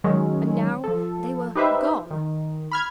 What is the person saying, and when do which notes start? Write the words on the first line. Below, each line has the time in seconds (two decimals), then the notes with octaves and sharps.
And now they were--gone.
0.04 D#3 F#3 G#3 C#4
0.84 F3 A4
1.55 D#4 G4 B4 C5 E5
2.11 D#3
2.71 B5 F6 G#6